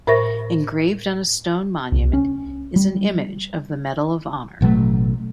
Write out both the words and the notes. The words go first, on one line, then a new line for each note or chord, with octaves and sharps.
Engraved on his stone monument is an image of the Medal of Honor.
A2 A#4 C5 E5 C#6 A#6
C2
C#4
G3
A1 B2 F#3 A3